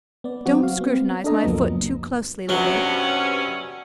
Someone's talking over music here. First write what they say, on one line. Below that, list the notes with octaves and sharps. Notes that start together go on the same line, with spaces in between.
"Don't scrutinize my foot too closely, Lily."
B3 D5
F#3 C4 F#4
F#4 F5
B3 C4
D4 A4 D#5 A#5
C#2 F#2 F3 F#3 A#3 B3
G2 C3 F#3 C#4 F#5